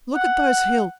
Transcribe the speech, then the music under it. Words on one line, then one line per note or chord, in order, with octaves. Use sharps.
Look at those hills!
F#5